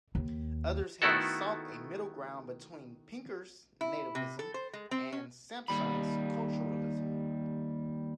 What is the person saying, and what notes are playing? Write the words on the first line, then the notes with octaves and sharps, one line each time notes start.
Others have sought a middle ground between Pinker's nativism and Sampson's culturalism.
D#2
D#3 A3 B3 E4 F#4 A4
E4
C3
A4
C5
G#3
C4
C#4
D#2 G3 B5